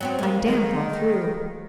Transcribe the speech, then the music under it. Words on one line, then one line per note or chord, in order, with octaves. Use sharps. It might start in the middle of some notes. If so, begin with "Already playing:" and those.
I'm damp all through.
F#3 B3 C4
G#3 A#3
D#3